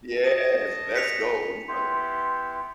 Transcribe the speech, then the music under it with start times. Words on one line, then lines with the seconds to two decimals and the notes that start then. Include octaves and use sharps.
Yes. Let's go. You hu
0.24 D#5 A5 D#7
0.96 B6 C#7 F7
1.68 B3 E4 G4 C6